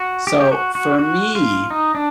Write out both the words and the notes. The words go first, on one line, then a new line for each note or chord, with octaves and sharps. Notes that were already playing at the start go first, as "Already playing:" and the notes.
So, for me,
Already playing: F#4
G4
G4
F#4
F#4
F#4
F4
D#4
D4